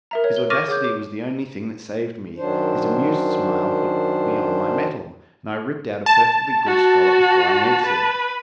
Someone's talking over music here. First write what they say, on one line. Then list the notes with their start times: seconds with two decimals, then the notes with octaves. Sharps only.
His audacity was the only thing that saved me: his amused smile put me on my mettle, and I ripped out a perfectly good scallop before I answered.
0.11 A#4 E5 A#5
0.24 C#5
0.36 G7
0.50 C#6 D6 F6 A6 A#6 D#7
0.68 G#4 C#5 D6 G6
0.84 D6
2.38 F#2 D#3 F#3 D4 C5
6.06 A5
6.66 F#4
7.85 B4